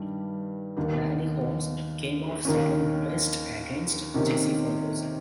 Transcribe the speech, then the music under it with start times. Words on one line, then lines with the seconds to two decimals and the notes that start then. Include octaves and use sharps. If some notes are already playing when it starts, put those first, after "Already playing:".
Larry Holmes came off second-best against Jesse Ferguson.
Already playing: G2 D#3 G3
0.77 D#2 D#3 A#3
2.45 D#2 D#3 A#3 C#4
4.14 C3 D#3 A#3 C#4